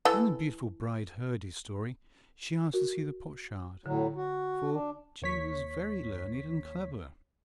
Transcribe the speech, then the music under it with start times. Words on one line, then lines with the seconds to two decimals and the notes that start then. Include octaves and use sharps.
When the beautiful bride heard his story, she asked to see the potsherd, for she was very learned and clever.
0.05 E3 A4
2.73 F#4 A#4
3.86 A2 D3 F#3
4.16 F#4
4.72 D4
5.22 D#2 C#5 B6